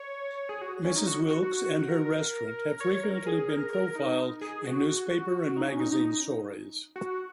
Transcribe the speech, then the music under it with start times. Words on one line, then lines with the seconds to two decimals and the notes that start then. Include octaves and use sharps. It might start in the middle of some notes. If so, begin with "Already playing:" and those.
Mrs. Wilkes and her restaurant have frequently been profiled in newspaper and magazine stories.
Already playing: C#5
0.49 G#4
0.62 F#4
0.85 C#4
0.96 D#4
1.07 F#4
1.31 F#4
1.43 F#4
1.64 F#4
1.89 A#4
2.80 C#5
3.04 A#4
3.26 G#4
3.49 A#4
3.73 A#4
3.95 D#4
4.41 G#4
4.65 F#4
5.57 D#4
5.68 C#4
5.80 D#4
5.92 D#4
6.96 F#4